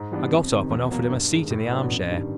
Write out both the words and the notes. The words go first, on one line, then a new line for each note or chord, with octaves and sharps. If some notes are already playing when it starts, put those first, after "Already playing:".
I got up and offered her my seat in the arm-chair.
Already playing: G#2
E3 G3 B3 D4
F2
C3 D#3
E2
B2 F#3 A#3
G2
D#3 G#3
A2
F#3 B3 D4
A1
G2 D#3 G3